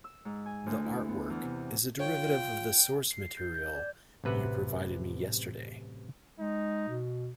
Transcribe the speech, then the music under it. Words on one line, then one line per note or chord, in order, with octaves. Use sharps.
The artwork is a derivative of the source material you provided me yesterday.
E6
G#2
G#5
D2
E4
B3
E2
C3
F4 C#5 G5
C7
G6
G6
D5
A1 F#2 C3 B4 E5 F#5
G#3 D#4
B2